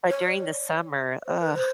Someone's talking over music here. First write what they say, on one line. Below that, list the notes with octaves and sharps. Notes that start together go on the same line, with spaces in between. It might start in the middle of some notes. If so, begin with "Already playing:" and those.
but during the summer, ugh,
C#5
D5
C5
B4
C5